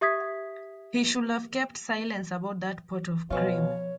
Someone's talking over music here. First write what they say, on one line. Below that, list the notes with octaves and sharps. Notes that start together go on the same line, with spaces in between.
He should have kept silence about that pot of cream.
G4 E5 D#6 G#6 B6
B2 F3 C4 C#4 F4 C#5